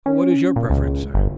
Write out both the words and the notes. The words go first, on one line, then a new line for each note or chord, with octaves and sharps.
"What is your preference, sir?"
C#4
A#2
C#2
G1